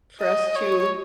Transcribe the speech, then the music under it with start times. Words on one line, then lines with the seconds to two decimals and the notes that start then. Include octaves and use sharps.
for us to
0.21 D#5
0.56 C#5